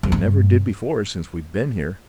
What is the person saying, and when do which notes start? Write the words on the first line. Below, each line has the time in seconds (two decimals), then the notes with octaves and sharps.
You never did before since we've been here.
0.03 F2
0.12 G2